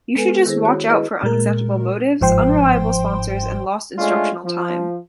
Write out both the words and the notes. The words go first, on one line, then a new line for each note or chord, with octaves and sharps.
You should just watch out for unacceptable motives, unreliable sponsors, and lost instructional time.
G#3 B3 A4 B4 G#5
D#3 E4 G#4 C5 A#6
F#4 C#5
E4 G#4 B4 D#5
A#2 G#3 A#4
G1 G#2 F3 C5 G5 C6
G#3 A3 C#4 D4 F4
F3